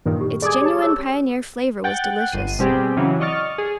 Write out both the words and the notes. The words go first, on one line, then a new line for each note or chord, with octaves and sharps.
Its genuine pioneer-flavor was delicious.
G2 A#2 D#3
G4
G#4 D5 G#5 D6 D#6
G4 C#5 A5
G#4 C#5 E6
F#5 G5 F#6 A6
G1 C7 D#7
B2 G3 C4 G4 G#4
C#3 E3 F#3
D5 D#5 C#6 F6 A6
G#4